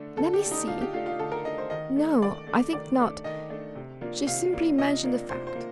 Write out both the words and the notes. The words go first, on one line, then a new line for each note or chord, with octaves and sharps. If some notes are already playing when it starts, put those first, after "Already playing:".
"Let me see--no--I think not--she simply mentioned the fact."
Already playing: D3 A3 D4
D3 A4
G4
A3 D4
D#4
D3 F4
G4
A3 D4 F4
F4
D3 A4
A#4
A3 D4 D#5
C5
D#3 D#5
A3 D4
D#3 D5
A3 D4
D#3 D5
A3 D4
D#3 D#5
A3 D4
C3
F3 A#3 D4
C3 F5
F3 A#3 D4
C3 D#5
F3 A#3 D4
C3 C5
C5
F3 A#3